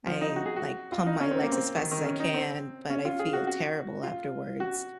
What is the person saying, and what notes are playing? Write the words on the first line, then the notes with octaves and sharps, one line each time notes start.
I like pump my legs as fast as I can, but I feel terrible afterwards.
F3
D#4
F#4
G#4
F#4
F4
D#4
C#4
C4
A#3
C4
D#3
D#3
C#4
D#4
C4
C#4
F4
G#4
F#4
F#4
F4
F#4